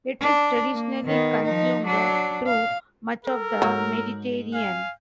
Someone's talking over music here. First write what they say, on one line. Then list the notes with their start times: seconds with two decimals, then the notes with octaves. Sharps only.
It is traditionally consumed through much of the Mediterranean.
0.21 D4
0.73 A#3
1.05 D#3 B3
1.44 F3 D#4
1.84 F#3 D4
2.47 F5
3.25 A4 A#4
3.62 G#2 F#3 G6
4.53 F5 G#5